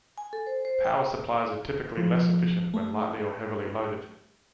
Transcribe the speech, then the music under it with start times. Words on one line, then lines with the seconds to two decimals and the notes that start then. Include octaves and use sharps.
Power supplies are typically less efficient when lightly or heavily loaded.
0.18 G#5
0.33 A4
0.47 C5
0.65 C5
0.84 G5
1.97 F3
2.74 A3